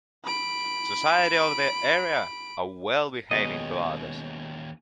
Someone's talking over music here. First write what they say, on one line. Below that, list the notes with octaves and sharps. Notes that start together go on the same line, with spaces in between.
Society of the area are well behaving to others.
B5 D7
D#2 B2 G#3 B3 C#4 D#5